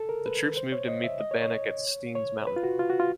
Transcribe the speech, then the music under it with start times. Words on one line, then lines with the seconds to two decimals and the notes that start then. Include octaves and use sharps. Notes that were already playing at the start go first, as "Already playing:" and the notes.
The troops moved to meet the Bannock at Steens Mountain.
Already playing: A4
0.09 A#4
0.26 B4
0.57 C5
0.72 C#5
0.88 D#5
1.04 E5
1.20 D#5
1.31 C#5
1.42 C#5
2.15 C#5
2.47 B4
2.56 F4
2.63 F#4
2.79 F4
2.90 F#4
3.00 F4